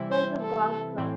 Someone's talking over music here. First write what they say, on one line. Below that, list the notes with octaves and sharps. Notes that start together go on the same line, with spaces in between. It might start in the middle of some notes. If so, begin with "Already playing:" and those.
There is a golf club.
Already playing: C3 E3 G3 C4 E4
C5
A4
A2 E3 C4